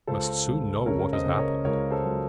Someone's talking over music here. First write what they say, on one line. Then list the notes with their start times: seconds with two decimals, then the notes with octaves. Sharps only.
He must soon know what has happened.
0.07 C#2 A4 C5
0.47 C#2
0.86 C#3 A#4 C#5
1.13 C5 D#5
1.26 C#3
1.39 A#4 C#5
1.64 C#2 A#4 C#5
1.90 A4 C5
2.04 F#3